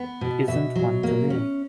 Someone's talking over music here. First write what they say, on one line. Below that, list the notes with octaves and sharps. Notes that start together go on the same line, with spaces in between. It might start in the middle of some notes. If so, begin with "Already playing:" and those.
It isn’t one to me.
Already playing: B3
B2
B2 E5
F#3
A#3
C#4